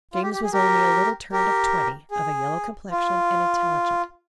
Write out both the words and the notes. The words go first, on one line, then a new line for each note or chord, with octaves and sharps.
James was only a little turned of twenty, of a yellow complexion, and intelligent.
F4
G4
G4
G#4
G4 A#4
G4 A#4
G#4
F4